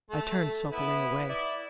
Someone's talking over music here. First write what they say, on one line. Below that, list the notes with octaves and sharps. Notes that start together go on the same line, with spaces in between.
I turned sulkily away.
A3
B3 E4 B4
E4 D5